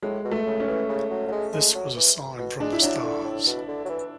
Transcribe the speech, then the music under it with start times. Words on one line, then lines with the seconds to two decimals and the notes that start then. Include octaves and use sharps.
This was an sign from the stars.
0.03 A2 G#3
0.24 B2
0.31 A3
0.46 C#3
0.60 C#4
0.67 E3
0.89 C#3
1.10 F#3
1.27 F#3
1.32 G#3
1.53 G#3
1.75 F#3
1.96 E3
2.39 B2
2.60 G#3 D4
2.73 E4
2.82 F#3 D4
3.03 D3
3.25 A2
3.47 B2
3.68 D3
3.85 F#3
3.89 E3